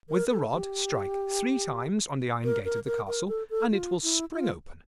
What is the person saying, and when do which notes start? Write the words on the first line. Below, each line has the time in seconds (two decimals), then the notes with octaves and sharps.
With the rod strike three times on the iron gate of the castle, and it will spring open.
0.10 A#4
0.31 A4
0.52 G4
2.44 A#4
2.65 A#4
2.86 A#4
3.08 A#4
3.28 A4
3.50 A4
3.72 F4
4.03 E4
4.34 F4